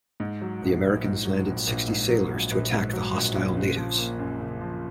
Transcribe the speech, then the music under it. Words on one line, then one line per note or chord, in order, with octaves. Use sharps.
The Americans landed sixty sailors to attack the hostile natives.
G#2
F#3
A#1
A#1
G#2
F#3
A#1
A#1
G#2
F#3
A#1
A#1
G#2
F#3
A#1
A#1
C#3
F3
A#3
F#2
C#3
F3